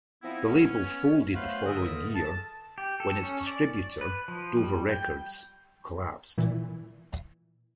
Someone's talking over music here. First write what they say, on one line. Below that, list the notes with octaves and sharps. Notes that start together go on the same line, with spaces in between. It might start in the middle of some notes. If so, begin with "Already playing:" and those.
The label folded the following year, when its distributor, Dover Records, collapsed.
F3 B3 C4 D#4 E4
B3 C#4
F#3 A3 B3 B4 C5 F5
C#2 D3 A4 A#4 E5 D#6
A5
G4
A4
C#4
D5
B4
F3
G3
G5
A#2 E3